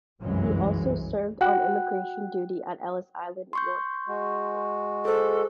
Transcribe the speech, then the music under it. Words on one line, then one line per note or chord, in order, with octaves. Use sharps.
He also served on immigration duty at Ellis Island, New York.
G1 C2 F#2 E3 F#3 G#3
F#4 F#5 G5 F#6
C6 C#6 G6
G#3 F#4
G#4 A4 C5